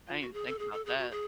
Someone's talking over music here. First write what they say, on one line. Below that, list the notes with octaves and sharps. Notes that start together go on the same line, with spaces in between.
I didn't think about that.
F4
F#4
G#4
A4
G#4
A4
G#4
F#4
G#4